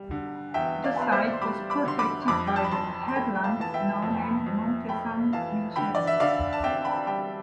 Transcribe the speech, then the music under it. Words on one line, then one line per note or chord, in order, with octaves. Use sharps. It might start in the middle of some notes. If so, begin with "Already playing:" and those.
The site was protected by the headland now named Monte San Michele.
Already playing: G3
D3
E2 E5 G5
D5 F5
B3 F5
C5 E5
C6
G3 B5 D6
B5 D6
D3 C6
B5 D6
F2 B5 D6
G5
A5
B5
F2 A5 C6
C6
A3 G5 B5
G5
F5 A5
E3 A5
E5 G5
F2
F2
A3 G5 B5
E3 F5 A5
D3 G5 B5
D5
E5
D3 D5 F5
A5
C4 E5 G5
G5 B5
G3 G5 B5